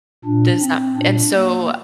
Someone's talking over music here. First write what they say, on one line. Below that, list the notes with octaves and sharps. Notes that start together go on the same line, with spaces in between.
Does that and so
A#2 D4
C4
A#2 D4
A#3